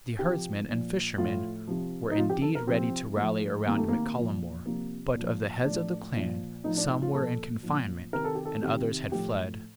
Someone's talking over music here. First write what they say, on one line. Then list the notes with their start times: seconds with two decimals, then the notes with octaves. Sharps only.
The herdsmen and fishermen were indeed ready to rally round Mac Callum More; but, of the heads of the clan, some were in confinement, and others had fled.
0.19 C3 F3 G4
0.69 A#2 F3
1.18 A2 F3 F4
1.67 C3 F3
2.11 D#4
2.18 C3 F3 F4
2.30 G4
2.42 A4
2.55 A#4
2.67 C3 F3 C4
3.17 A2 F3
3.66 C3 D#3 A#3
3.78 A3
3.88 A#3
4.16 A#2 F3
4.66 C3 F3 A#3
5.15 A#2 F3
5.65 A2 F3 D4
6.14 A#2 F3
6.64 A2 F3 D#4
6.77 D4
6.89 D#4
7.02 F4
7.14 A#2 F3 A4
7.63 A#2 F3
8.13 C3 D#3 A#4
8.24 A4
8.35 G4
8.45 A4
8.63 C3 D#3
9.12 A2 F3 G4